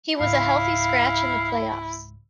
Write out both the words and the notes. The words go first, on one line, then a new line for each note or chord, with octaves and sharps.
He was a healthy scratch in the playoffs.
C#2 G#2 E4 F5